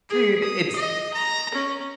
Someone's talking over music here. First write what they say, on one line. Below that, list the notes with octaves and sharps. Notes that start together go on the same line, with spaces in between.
Dude, it's
G#4
D#6
D#5
A#5
C#4